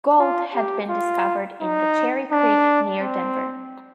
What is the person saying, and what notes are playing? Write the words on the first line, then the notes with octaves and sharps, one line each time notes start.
Gold, had been discovered in the Cherry Creek, near Denver.
F4
G4
F4
D#4
D4
C4